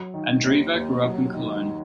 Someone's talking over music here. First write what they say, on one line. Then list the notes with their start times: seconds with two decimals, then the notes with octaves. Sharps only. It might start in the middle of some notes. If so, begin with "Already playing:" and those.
Andreeva grew up in Cologne.
Already playing: F#3
0.14 D#3
0.44 D#2
0.75 D#2
1.04 F#3
1.34 D#3